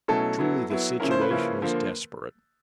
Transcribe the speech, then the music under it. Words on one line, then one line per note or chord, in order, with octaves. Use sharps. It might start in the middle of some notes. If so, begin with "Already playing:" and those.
Truly the situation was desperate.
B2 F#3 A3 C#4 E4 A4
F#3 B3 E4
F#3 B3 E4
C#3 F3 A#3 C#4 E4 A#4
C5
B4
C#3 F3 A#3 C#4 E4
D3 F3 A#3